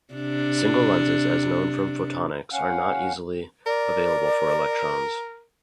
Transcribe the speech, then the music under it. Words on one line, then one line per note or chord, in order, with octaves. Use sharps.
Single lenses as known from photonics are not easily available for electrons.
C3 D4
C#4 F5 F#5
A#4 D5